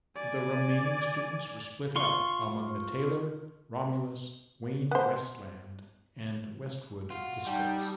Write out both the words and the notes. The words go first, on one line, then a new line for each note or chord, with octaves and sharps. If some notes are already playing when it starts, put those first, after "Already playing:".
The remaining students were split up among the Taylor, Romulus, Wayne-Westland and Westwood districts.
D5 G#5
F4 C6 C#6
B3 C5
F4 F#4
G3 D#4 G5 A5 G6